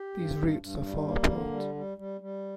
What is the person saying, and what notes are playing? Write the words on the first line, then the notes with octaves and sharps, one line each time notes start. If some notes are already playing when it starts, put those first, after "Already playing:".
These roots are far apart.
Already playing: G4
G2
G2
G2
G3
A#3
D3
G3
G3
G3
G3